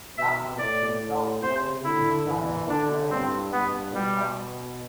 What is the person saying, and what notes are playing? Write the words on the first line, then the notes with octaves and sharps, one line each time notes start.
Ahmad himself went into exile in Palermo with his sons.
B2 E5
A2 D5
A2
C3 C5
D3 E4
E3
D3 D4
G2 C4
G2 B3
B2 G3